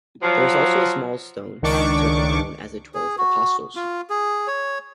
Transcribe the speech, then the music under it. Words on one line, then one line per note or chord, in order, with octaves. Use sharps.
There is also a small stone circle known as The Twelve Apostles.
F3 F#3
C#2 D#3 D4 C#6 D6
G#4
F#4
F4
G#4
C#5